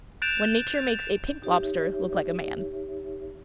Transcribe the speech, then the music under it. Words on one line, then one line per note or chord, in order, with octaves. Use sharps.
When Nature makes a pink lobster look like a man.
F#6 G6 A6 D7 E7 F7
D#4 G4 C#5 E5